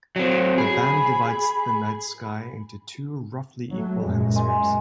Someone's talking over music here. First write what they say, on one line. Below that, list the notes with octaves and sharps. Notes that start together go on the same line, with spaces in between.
The band divides the night sky into two roughly equal hemispheres.
F#3 C4
G#4 B5
F#3 A3
F#2 A#2 G#3
D#5 G#5 C6